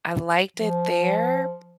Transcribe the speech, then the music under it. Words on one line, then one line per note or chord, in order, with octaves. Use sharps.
I liked it there
F3